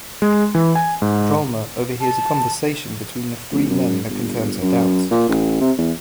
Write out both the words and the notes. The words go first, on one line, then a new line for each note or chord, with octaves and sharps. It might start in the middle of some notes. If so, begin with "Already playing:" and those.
Drolma overhears a conversation between the three men that confirms her doubts.
G#3
E3
G#5
G#2
A5
F1
F#2
G1
F#2
A#2
A1
C3
E2